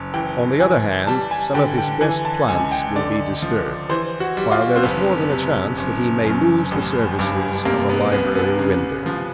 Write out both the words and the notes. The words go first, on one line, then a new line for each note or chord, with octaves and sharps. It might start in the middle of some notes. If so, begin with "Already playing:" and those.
On the other hand, some of his best plants will be disturbed, while there is more than a chance that he may lose the services of a library window.
Already playing: F#1
E3 G5
E3 G#5
G3 A5
G#5
D3 G5
G5
E3 G#5
A5
C#2 G#5
G5
D3 D5
F3
E3 C5
F#4
G3
F4
C4
F#1 B3
C3
F#1
F#2
A1
G2
C3 A#3
B3
C2 B3
B3
C#3
F3